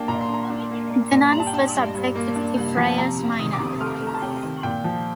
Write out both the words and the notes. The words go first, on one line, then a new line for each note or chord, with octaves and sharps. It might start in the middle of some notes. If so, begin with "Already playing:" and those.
The nuns were subject to the Friars Minor.
Already playing: A#3 D4 G5 A5
A#2 A#5
C6
D4 A#5
D4
A#3
A#3
A#2
G2 A#5
A5
G5
D4 A5
G2
G2
A#3
D4
G2
F3
C3 A#5
C3
D#3 D#6
D6
C3
D#6
A3 F6
A3
A#5
A5
C3 G5
D#3
A#2 G5
F3